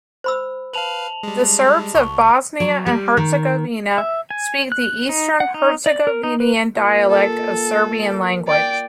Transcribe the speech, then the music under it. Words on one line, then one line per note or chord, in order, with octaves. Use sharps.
The Serbs of Bosnia and Herzegovina speak the Eastern Herzegovinian dialect of Serbian language.
C5 B5 E6
B4 F5 A5 F7 F#7
G3 G#3
C#2 C#6
F#3
G3
D#3
E5
G#5
F#6
D#4
F#5
D#4
D5
A#4
D#4
B4
A#2
A4
D5 G5